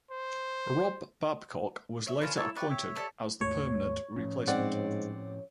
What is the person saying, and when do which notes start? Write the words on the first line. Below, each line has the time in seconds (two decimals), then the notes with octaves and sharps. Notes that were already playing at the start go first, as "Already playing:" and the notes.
Rob Babcock was later appointed as the permanent replacement.
0.11 C5
2.06 C#5 E5
2.21 C#4 D4 F4 B4
2.37 A#3 E4 A4 C#5
2.56 B4 D5 G5 C#6 D6
2.70 C#5 E5
2.95 G4 A4 D5
3.41 D#2 G#2 A3 C#5
4.16 A2 F3 C#4
4.47 G#2 C4 D5 F#5